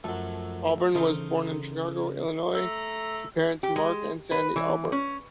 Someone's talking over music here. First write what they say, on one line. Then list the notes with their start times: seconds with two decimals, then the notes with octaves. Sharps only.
Auburn was born in Chicago, Illinois, to parents Mark and Sandy Auburn.
0.04 F#2 F3 F#3 A3 A4 A5 E6
0.95 C#3 E3 D#4 A4 A#4 C5 C#6
2.55 A3 A#5 E6
3.63 G4
3.76 G#3
4.31 B4
4.56 E3
4.92 C#4